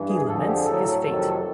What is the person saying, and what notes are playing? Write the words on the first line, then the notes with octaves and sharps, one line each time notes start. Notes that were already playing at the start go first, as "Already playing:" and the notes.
He laments his fate.
Already playing: G2 E3
G#4
F2 D3 F3 A4
G#4
G4
G#4
A2 F#3 A4
F2 C3 D#3 F#3 A4